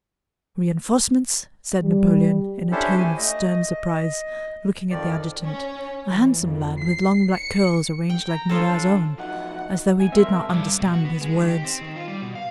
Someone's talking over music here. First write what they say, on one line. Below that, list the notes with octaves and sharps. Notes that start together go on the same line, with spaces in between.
"Reinforcements?" said Napoleon in a tone of stern surprise, looking at the adjutant--a handsome lad with long black curls arranged like Murat's own--as though he did not understand his words.
G3
C#4 D4 E4 G4 A4 C5
A3 G#5
A3 D#5
D#5
F2 D#3 F3 D5
C#4
E3
F2
C7
C#7
G5
A#5
F3 F4 A4 C#5
D4
F3 F#3 D#4 F#5
G#2 E3 D#4 G#5
F#3 G3 A3 C4 A#4 E5 C6
G2 C#3 A5
C#2 G2 A3 D4 D6
B2
F#4
B3
G#3
D#3
G4
C4
D#3
F4
G3
B2
F5